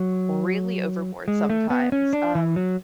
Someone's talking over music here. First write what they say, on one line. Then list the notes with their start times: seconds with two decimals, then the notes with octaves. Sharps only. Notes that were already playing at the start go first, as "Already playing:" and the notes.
really overboard sometimes, um,
Already playing: F#3
1.28 G#3
1.50 A3
1.70 B3
1.92 C#4
2.13 D4
2.35 E3
2.56 F#3